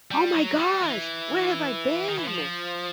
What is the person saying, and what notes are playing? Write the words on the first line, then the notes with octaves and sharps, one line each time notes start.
Oh my gosh, where have I been?!
G3
F#3
G3
E3
D#3
E3
F3